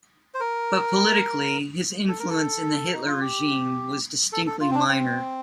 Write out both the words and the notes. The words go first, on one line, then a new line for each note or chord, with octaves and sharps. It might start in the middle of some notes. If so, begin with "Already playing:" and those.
But politically, his influence in the Hitler regime was distinctly minor.
C5
A#4
A4
A#4
A4
D#4
F4
G4
A4
A4
F4
C4
D4
C4